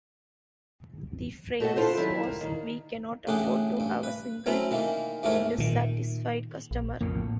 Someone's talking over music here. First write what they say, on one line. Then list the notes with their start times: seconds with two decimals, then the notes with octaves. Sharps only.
The phrase was, "We Cannot Afford To Have A Single Dissatisfied Customer".
1.60 A3 F#4 A4 D5 D#5 F#5
1.76 D4 E4 F4 A4 C5
1.97 D#3 F#3 G3 E4
2.23 A#3
2.41 D#3
3.27 A1 A2 D3 G4 G#4 F#5
3.77 A1 G2
4.03 B4
4.46 F#3 A3 C4 C#4 E4 A#5
4.71 D#3 E3 A#3
5.23 D#2 G#2 E3 A3 A#4 C#5
5.58 A#2 D#3
6.71 A#1
7.01 F2 A2 C#3 A#3
7.14 A2